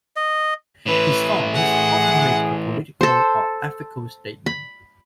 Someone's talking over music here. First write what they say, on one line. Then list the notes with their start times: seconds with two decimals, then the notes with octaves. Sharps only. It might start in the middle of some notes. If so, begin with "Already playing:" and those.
His songs often make a political or ethical statement.
0.16 D#5
0.86 A2 E3 B4
1.54 G#4 F#5
3.01 A4 C5
4.46 B5